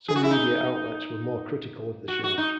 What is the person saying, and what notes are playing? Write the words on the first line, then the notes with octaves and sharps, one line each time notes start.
Some media outlets were more critical of the show.
G#4
F#4
E4
D#4
F#4
F#4
D#4